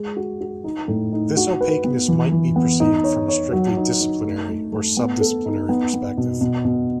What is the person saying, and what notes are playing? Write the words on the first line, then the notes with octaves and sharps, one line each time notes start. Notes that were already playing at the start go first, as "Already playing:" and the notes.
This opaqueness might be perceived from a strictly disciplinary, or sub-disciplinary perspective.
Already playing: G#3
F#4
F#4
D#4
A2
D#4
F#4
B4
B3
E3
E3
B3
D#4
C#5
C#5
F#3
D#4
D#4
A3
A3
A3
B3
A4
D#4
B3
B3
B2
B2
B2